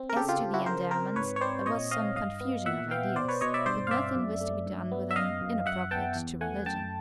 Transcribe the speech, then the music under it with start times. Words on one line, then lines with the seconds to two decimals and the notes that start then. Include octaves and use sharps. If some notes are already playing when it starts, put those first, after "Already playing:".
As to the endowments, there was some confusion of ideas; but nothing was to be done with them inappropriate to religion.
Already playing: C4
0.09 A#4
0.16 C#3 G4 A4
0.29 F4 G4
0.41 C#3
0.54 E4 F#4
0.66 C#3 A#4 C5
0.91 C4 A#4 C5
1.16 G#2 B4 C#5
1.36 C#5
1.41 C4 C5 D5
1.66 A#2 C#5 D#5
1.91 C4 D#5 F5
2.16 G2 D#5 F5
2.40 B3
2.66 A#2 E5 F#5
2.91 B3 F5 G5
3.16 B2 C5 D5
3.28 B4 C#5
3.41 B2 C#5 D#5
3.54 D5 E5
3.66 G2 C5 D5
3.87 F5
3.91 C4 D5 E5
4.16 F#2
4.41 A3
4.66 G2
4.91 B3
5.11 E5
5.16 F#2 D#5 F5
5.41 F#2
5.66 F#2 E5 F#5
5.91 B3 G5 A5
6.16 E2
6.41 A3 F#5 G#5
6.66 F#2 G5 A5